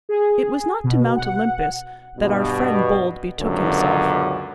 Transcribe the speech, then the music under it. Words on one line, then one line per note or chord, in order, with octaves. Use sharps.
It was not to Mount Olympus that our friend Bold betook himself.
G#4
B2
F#5
G2 B2
C#2 F#2 B2 D3